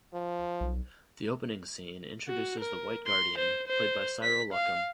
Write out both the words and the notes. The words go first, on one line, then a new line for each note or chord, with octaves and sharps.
The opening scene introduces the White Guardian, played by Cyril Luckham.
F3
B1
F#4
A#4
C6
C5
C5
B6
F5